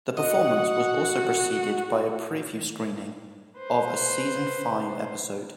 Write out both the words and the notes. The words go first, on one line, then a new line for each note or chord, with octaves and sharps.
The performance was also preceded by a preview screening of a season five episode.
F#4 D#5 F#5
B4 C5